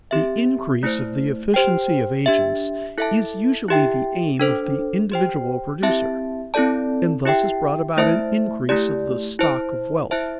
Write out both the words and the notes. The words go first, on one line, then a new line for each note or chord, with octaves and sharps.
The increase of the efficiency of agents is usually the aim of the individual producer, and thus is brought about an increase of the stock of wealth.
C4 G4 E5
A3 E4 C5
G4 C5 G5
D4 G4 E5
E4 A4 E5 A5
E4 G4 E5 G5
D4 A4 C5
G4 C5 G5
C4 E4 G4 E5 A5
C4 E4 A4 D5 A5
E4 G4 E5 G5
A3 E4 C5 E5 A5
A3 E4 G4 D5
E4 C5 A5
E4 C5 E5 A5